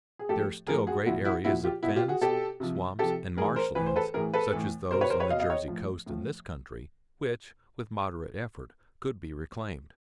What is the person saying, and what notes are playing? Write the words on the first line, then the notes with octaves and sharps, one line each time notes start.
There are still great areas of fens, swamps, and marshlands, such as those on the Jersey coast in this country, which with moderate effort could be reclaimed.
G#4
A2 F3 G4 A4
A2 F3 G#4 A#4
F#4 G#4
A#2 F3 E4 F#4
E4 F#4
A#2 F3 E4 F#4
F4 G4
B2 E4 F#4
F4 G4
F#4 G#4
B2 G4 A4
C3 F3
C3 F3 G4 A4
A2 E3 G#4 A#4
A#4 C5
A2 E3 B4
C5
A4 B4
A2 E3 G#4 A#4
A4 B4
A2 E3
B2 A#4 C5
B4 C#5
A#4 C5
B4 C#5
B2 D#5 F5
D#5 F5
C#5 D#5
A2 F3
A2 F3